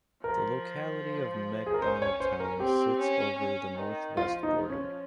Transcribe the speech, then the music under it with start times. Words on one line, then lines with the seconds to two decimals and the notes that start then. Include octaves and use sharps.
The locality of Macdonaldtown sits over the north-west border.
0.24 F3 A#4
1.67 G#4
1.74 A#4
1.82 C#4 C5
2.02 C#5
2.20 C5
2.40 A#4
2.60 C4 G4
2.99 C#4
3.38 C#4
3.78 D#3
4.17 F3 F4
4.43 D#4
4.70 C#4